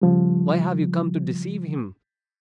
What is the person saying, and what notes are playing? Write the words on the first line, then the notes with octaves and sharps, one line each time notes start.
Why have you come to deceive him?
C#3 F3 G3